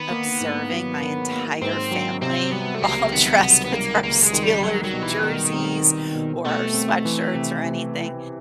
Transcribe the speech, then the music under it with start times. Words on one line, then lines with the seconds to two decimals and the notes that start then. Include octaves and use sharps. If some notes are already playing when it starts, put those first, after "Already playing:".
observing my entire family all dressed with our Steelers jerseys or our sweatshirts or anything
Already playing: D#3 B3
0.11 A#3
0.41 G#2
0.71 F#3
1.02 D#3
1.32 A#3
1.61 G#2 C4
1.91 F#3
2.22 C3 C4
2.52 G3 B3
2.75 A3
2.82 C#2 A#3
3.12 D#3 B3
3.43 C3 B3
3.65 B3
3.72 G3 A#3
4.03 C#2 A#3
4.23 G#3
4.33 D#3
4.43 G3
4.63 F#3 G3
4.84 F#3
4.93 B2
5.03 E3
5.23 B2 D#3
5.54 C4
5.83 G3
6.15 B2
6.45 B2 A3
6.74 C4
7.05 E3
7.35 C3
7.64 C3